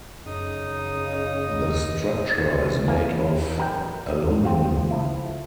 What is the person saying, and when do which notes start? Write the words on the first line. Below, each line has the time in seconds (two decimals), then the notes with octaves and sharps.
The structure is made of aluminum.
0.26 F#2 C#3 D#4 D#6
2.88 A#3 C#4 E4 G#5
3.58 A1 F#2 A#4 B4 G5
4.45 C4 F4
4.91 F3 A3 E4